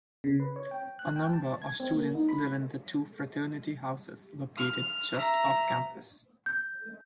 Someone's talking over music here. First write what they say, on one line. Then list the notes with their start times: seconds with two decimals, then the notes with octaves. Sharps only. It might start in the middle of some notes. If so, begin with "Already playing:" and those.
A number of students live in the two fraternity houses located just off-campus.
0.24 C#3
0.40 B4
0.56 C#5
0.71 G5
0.99 F#6
1.16 G5
1.33 A5
1.62 G#6
1.80 C4
1.94 A#3
2.15 D#4
2.29 B5
4.57 F6
5.16 E5 A#5
6.46 G6